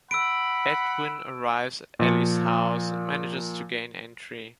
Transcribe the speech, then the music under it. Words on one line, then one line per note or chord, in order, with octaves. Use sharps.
Edwin arrives at Allie's house and manages to gain entry.
F#5 B5 E6 D7
A#2 F3 C#7